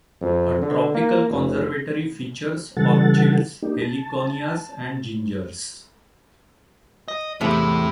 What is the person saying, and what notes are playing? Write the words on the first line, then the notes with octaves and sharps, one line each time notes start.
A tropical conservatory features orchids, heliconias, and gingers.
F2
D3
A#3
F1
C#3 E3 G3 A4 F#5 A6
A#3 D4 D#4 G4
A5
D#5
E2 A2 C3 A3 E4